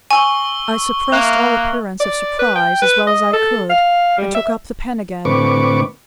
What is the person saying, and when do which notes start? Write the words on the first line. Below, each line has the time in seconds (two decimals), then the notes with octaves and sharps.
I suppressed all appearance of surprise as well as I could, and took up the pen again.
0.11 G#5 C#6 E6 G7
1.12 A#3 E5 F#6
2.00 D5
2.39 B4
2.55 G5
2.82 B4
3.07 D#5
3.33 A4
3.69 F5
4.18 G3
4.35 E5
5.25 A2 D3 C4 B4 C#6 D6